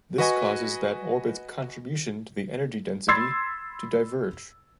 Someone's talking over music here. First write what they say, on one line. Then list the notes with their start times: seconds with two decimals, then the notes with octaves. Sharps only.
This causes that orbit's contribution to the energy density to diverge.
0.18 F#4 B4 D#5 G#5 C#6
3.08 B5 C6 E6 G#6 A6 C7